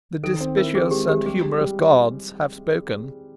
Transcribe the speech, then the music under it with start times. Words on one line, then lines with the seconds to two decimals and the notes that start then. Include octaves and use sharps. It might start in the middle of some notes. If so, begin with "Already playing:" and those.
The dispiteous and humorous gods have spoken.
0.23 D#3 A4
0.40 C4
0.57 E4 A#4
0.75 C4 G#4
0.91 G#3 G4
1.09 G#3 G4
1.25 G3 G#4
1.42 G3
1.60 G3